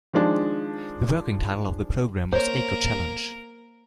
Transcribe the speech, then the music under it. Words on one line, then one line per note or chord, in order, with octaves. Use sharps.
The working title of the programme was Eco-Challenge.
D#3 F3 G#3 D4
A#3 A#4 C5 C#5